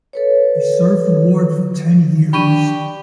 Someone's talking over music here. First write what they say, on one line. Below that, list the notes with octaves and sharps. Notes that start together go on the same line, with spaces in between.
He served the ward for ten years.
A4 B4 C#5
D4 G4 B5 C#6 D#7